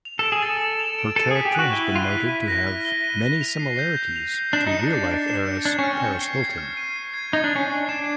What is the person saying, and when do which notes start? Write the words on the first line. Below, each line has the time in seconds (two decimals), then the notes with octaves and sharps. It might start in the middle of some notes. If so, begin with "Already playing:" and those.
Her character has been noted to have many similarities to real-life heiress Paris Hilton.
0.05 F7
0.19 A4 D7
0.32 G#4
0.42 A4 A6
0.61 A6
0.80 F7
0.99 D7
1.16 A4 D#7
1.31 G#4 B6
1.45 G4
1.55 F#4 F#6
1.73 E4 G7
1.92 F4 D#7
2.00 E4
2.10 B6
2.29 D#7
2.48 A#6
2.67 F6
2.85 G7
3.04 D#7
3.22 A#6
3.41 F7
3.59 C7
3.79 G6
3.97 G6
4.16 F7
4.34 C7
4.53 D4 E7
4.67 D#4 C#7
4.80 D4
4.90 A6
5.09 A6
5.28 E7
5.46 C#7
5.64 D4 G#6
5.79 C#4 F6
5.93 C4
6.02 C#6
6.21 C7
6.40 G#6
6.58 F6
6.77 D#7
6.96 C7
7.14 G#6
7.33 D#4 G#6
7.44 D4
7.52 C#4 D#7
7.67 D4 C7
7.89 D4 E7